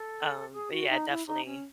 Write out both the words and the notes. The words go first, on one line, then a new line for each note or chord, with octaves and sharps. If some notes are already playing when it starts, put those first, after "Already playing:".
Um, but, yeah, definitely
Already playing: A4
G#4
F#4
D#4
E4
D#4
C#4